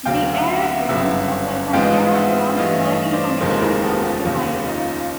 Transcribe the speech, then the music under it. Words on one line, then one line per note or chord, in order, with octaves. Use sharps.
The aerodrome offers an Aerodrome Flight Information Service to pilots.
D2 C#3 F#3 F5 G5
E5 F#5
E5 F#5
G1 F#2 C#3 E5 F#5
A1 G#2 F3 G#3 B3 F5 G5
E5 F#5
G2 E3 A3 D#5 F5
C#5 D#5
C5 D5
F1 D#2 C#3 F3 G#3 A#4 C5
G#4 A#4
G4 A4
F4 G4
F1 D#2 C#3
D#4 F4